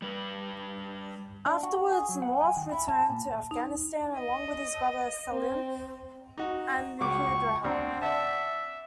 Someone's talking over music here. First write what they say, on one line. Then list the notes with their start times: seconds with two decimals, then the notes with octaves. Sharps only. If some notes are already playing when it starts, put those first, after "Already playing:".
Afterwards, Nawaf returned to Afghanistan along with his brother Salem, and Mihdhar.
0.02 G3 B4
1.46 D4
1.63 F#4
1.92 G#4
2.09 F#3
2.22 F#5
2.40 G#5
2.57 D#3
2.71 E4
2.88 A5
3.09 A#2
3.51 D#4
4.17 D#5
5.29 C4
6.38 D#4 F#4
7.01 C#2 F#4 C#6 D6
7.64 D2 C4 D4
8.02 D5 E5 F#5 A5